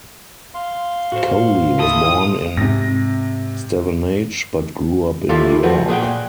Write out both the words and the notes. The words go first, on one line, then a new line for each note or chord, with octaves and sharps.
Coley was born in Stevenage but grew up in York.
F5 C6
A2 F#4 C5
E4 A4 D#6
G#2 C3 A#6
G3 E4 F4 G4 A4 F5
F3 A3 F#4 B4
A#2 G#4 F#5 G5